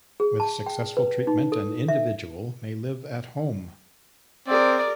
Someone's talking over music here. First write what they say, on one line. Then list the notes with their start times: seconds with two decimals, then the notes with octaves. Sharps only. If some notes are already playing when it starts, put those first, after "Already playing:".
With successful treatment, an individual may live at home.
0.20 G#4
0.40 A5
0.66 G5
0.97 B4
1.27 D#4
1.52 A4
1.88 E5
4.48 C4 G#4 A#4 D5